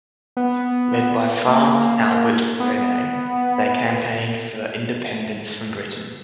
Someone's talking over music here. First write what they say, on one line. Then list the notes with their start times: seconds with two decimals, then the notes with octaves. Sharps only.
Led by France Albert Rene, they campaigned for independence from Britain.
0.37 B3
1.48 A#3
2.60 B3